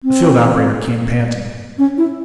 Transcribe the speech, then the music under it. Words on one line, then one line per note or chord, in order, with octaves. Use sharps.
The field operator came panting.
C4
C#4
E4